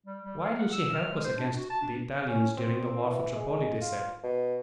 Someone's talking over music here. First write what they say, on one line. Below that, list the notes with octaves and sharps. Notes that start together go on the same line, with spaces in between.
"Why didn't she help us against the Italians during the war for Tripoli?" they said.
G3
G3
F5
F#5
E6
F6
G#3
C5
D4
F#4
A5
D4
C#4
C4
E3
G#3
F4
B2